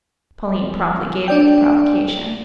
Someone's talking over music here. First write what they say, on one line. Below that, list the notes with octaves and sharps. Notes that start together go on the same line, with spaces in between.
Pauline promptly gave her the provocation.
D4 D5 G5